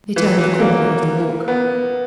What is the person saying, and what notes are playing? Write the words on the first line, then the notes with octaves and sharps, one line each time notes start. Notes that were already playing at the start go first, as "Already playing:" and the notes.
They turned the corner of the walk.
E3
F#3
E3
A#3
B3